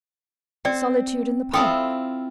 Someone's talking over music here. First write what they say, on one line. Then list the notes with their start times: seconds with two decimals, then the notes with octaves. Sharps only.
Solitude in the Park!
0.65 C4 D5 G5
1.53 C4 E4 F4 A4 G5 D#6